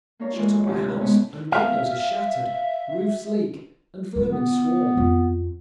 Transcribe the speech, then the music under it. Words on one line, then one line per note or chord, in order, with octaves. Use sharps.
Shut up a house, and windows are shattered, roofs leak, and vermin swarm.
A#3 D4 A#4 C#5 F5
E3 G#3 F4
D2 G2 C3 F3 E4
G#3 A3 B3 C#4
E5 F5
D3 F3
B3
F2